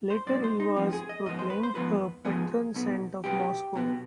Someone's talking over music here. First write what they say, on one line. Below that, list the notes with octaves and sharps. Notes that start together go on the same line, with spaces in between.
Later he was proclaimed a patron saint of Moscow.
C5
B1 B2 G#3 D5
C5
D#4
G#2 F3 B3 C4
G#4
D#5
G#2 F3 B3 D#5
C5
B4
C5
G#2 F3 B3 B4
G#2 F3 B3 G#4
B1 B2 B3
B1 B2 B3 G4
B1 B2 B3